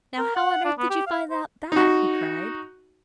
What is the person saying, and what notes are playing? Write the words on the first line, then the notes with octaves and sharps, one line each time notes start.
'Now how on earth did you find out that?' he cried.
A#4
F#5
D4
B3
G4
F5
C5
D#4 F#4